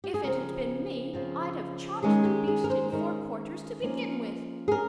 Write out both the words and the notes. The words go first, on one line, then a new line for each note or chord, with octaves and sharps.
If it had been me, I'd have chopped the beast in four quarters to begin with!
G4
G#4
C#3 F3 C4 A#4
C#3 F3 C4
D#3 G#3 C#4 G#4
G4
G#4
A#4
C5
D#3 G#3 C#4 A#4
F3 A#3 C#4
G#4
C#4 A#4